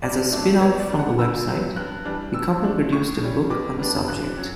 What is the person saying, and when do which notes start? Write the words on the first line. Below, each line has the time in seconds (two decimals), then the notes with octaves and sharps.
As a spinoff from the website, the couple produced a book on the subject.
0.02 G2 D5
0.31 F#3 A3 D4
0.60 B2 C#5
0.80 D5
0.89 G3 D4
0.99 F#5
1.19 D3 E6
1.47 F#3 B3
1.76 G2 F#6
2.05 E3 G3 D4
2.34 D3 E6
2.63 A3 D4
2.92 A2 C#6
3.22 G3 C#4
3.50 B2 D6
3.79 G3 B3 D4
4.08 D3 F#6
4.37 F#3 C#4